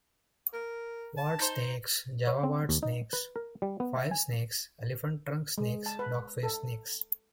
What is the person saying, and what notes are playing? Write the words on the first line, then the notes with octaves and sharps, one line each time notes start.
Wart snakes, Java wart snakes, file snakes, elephant trunk snakes, dogface snakes.
A#4
A5
D#4 C5
C#5
C4
D#2
D#4
B4
A#4
G3
B3
E5
G#5
G#3
A5
B4
A4